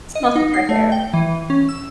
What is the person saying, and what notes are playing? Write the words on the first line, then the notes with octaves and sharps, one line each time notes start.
Smell some fresh air.
D#5
D#4
C7
A3
G5
E3
C#4
E6